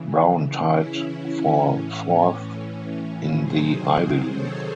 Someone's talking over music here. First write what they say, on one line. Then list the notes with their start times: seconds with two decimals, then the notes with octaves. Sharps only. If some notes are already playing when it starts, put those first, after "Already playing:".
Brown tied for fourth in the Ivy League.
Already playing: C#3 E3
0.70 C#4 E4
1.15 C#4
1.60 A2 E3 C#4
3.40 C3 D#3 F#3 G#4 C5
4.31 A4 C#5